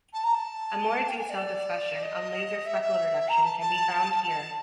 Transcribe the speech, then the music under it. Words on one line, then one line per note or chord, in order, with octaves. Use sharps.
A more detailed discussion on laser speckle reduction can be found here.
A5
A#5
A5
G5
G#5
D5
D#5
E5
E5
A#5
A5
A5
A5